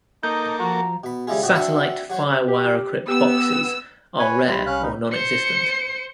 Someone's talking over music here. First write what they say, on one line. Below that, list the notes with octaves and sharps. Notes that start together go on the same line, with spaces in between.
Satellite FireWire-equipped boxes are rare or nonexistent.
A#3 D#4 A4 G6
F3 F#4 A#5
B2 B5
C#3 G3 G#3 E4 F4 G#4
A2 F#4 D#5 G5
C4 D4 F#4 E5 F#5 A5
F#3 F#4 C5 C#5
G4
B3 G4 E6
B4 C#5 G#5
C2 G4 B5 C6
C#4 F5 F#6
D#4
C5 C#7